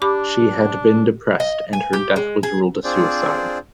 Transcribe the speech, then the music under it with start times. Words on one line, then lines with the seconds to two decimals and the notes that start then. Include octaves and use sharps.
She had been depressed and her death was ruled a suicide.
0.02 D4 G4 B5 D6
1.40 D#5
1.73 G#5
1.93 G4
2.16 G#3
2.43 G#4
2.84 C4 D4 F4 G#4 C5 D5